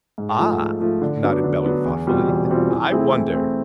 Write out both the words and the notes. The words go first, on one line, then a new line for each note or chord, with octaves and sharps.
"Ah!" nodded Bellew thoughtfully, "I wonder!"
G#2
F3 A3
G#2
F3 A3
D3
F#3 B3 D4
D3
F#3 B3 D4
E2
B2 G3 C4 F4
E2
B2 G3 C4 F4
E3
A3 C4 E4 G#4
E3
A3 C4 E4 G#4